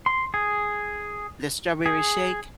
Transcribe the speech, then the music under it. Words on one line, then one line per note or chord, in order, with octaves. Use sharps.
the strawberry shake
C6
G#4
G#4